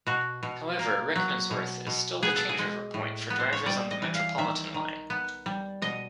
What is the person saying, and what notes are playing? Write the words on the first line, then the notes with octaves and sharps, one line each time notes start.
However, Rickmansworth is still the changeover point for drivers on the Metropolitan line.
B2 F#4
B2
A#3
F#3
B2
B2
B3 G#4
A4
G#4
G#3
A2
B3
C5
C#5
G3 D5
D#5
E3
F5
D#3 E5
D#3
B3
G3
B2 D#5